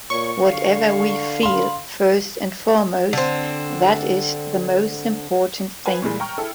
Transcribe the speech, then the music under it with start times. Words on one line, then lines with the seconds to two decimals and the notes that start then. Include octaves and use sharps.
Whatever we feel, first and foremost, that is the most important thing.
0.10 A#2 C#5 C#6
0.44 D3 F5
1.43 F5 B5 C6
3.13 D3 C4
5.86 B4 F5 G#5
6.02 A#2 E3 G3 G#3
6.20 G5 A#5 C#6 F6
6.38 E4 G#4 A4 G5